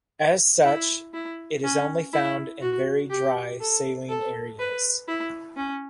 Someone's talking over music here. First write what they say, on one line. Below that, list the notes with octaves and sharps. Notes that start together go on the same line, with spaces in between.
As such, it is only found in very dry saline areas.
E4
E4
C#4
E4
F#4
G4
A4
A4
B4
E4
C#4